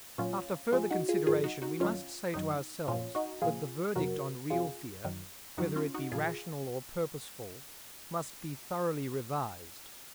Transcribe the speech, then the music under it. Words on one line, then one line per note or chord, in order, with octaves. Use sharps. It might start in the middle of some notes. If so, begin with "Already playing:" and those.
After further consideration, we must say to ourselves that the verdict on real fear, whether it be rational or purposeful, must be thoroughly revised.
A#2 F#3 C#4 F4
G#2 F3 F4 G#4
D#4 F#4
F4 G#4
G#2 F3 F4 G#4
D#4 F#4
D#4 F#4
F#2 D#3 F#3 C#4 F4
F#2 D#3 F#3 D#4
A#2 F3 C#4 F4
D#4 F#4
A#2 F3 F4 G#4
F2 C3 F#3 F#4 A#4
F2 C3 F#3 F4 G#4
F#2 D#3 F#3
F#2 D#3 F#3 D#4 F#4
C#4 F4
D#4 F#4
A#2 F3 F4 G#4